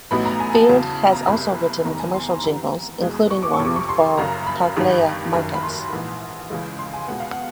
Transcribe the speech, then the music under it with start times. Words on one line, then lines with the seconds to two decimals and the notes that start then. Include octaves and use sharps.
Field has also written commercial jingles, including one for Parklea Markets.
0.11 A1 A2 F#3 B3 D#4 B5
0.26 A#5
0.40 G#5
0.55 A5
0.69 E2 C#3 F#3
1.13 A#5
1.27 F#1 E2 C3 B5
1.85 F1 E2 C3 D#3 G3 A#5
2.00 G#5
2.14 C6
2.29 A#5
2.43 G#2 E3 G3 A#5
3.01 E2 B2 G#3
3.30 C#6
3.43 D6
3.53 C#6
3.59 F1 F2 C3
3.65 D6
3.76 C#6
3.89 C6
4.17 F#1 F#2 C#3 A#5
4.47 B5
4.75 G#1 G2 D#3 G3
5.34 F#1 F#2 D#3
5.55 B5
5.63 C6
5.92 A#1 G#2 E3
6.50 C#2 C#3 E3 G#3
6.79 C6
6.94 G#5
7.08 C#2 B2 G#3 B3 F#5
7.20 F5
7.31 F#5